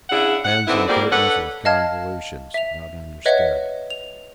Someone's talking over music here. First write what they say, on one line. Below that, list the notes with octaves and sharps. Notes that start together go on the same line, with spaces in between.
Bands and Curtains with convolutions--not understood.
C#3 D4 E4 G#4 F#5
F#5
D3 B3 C4 D#4 E4
F3 G3 A#3 G#4 D5
D4 A4 B4 C#5 F#5
D#5 F5 A5 F6 G#6
E5 F7
B4 C#5 D#5 E5 F#5
F7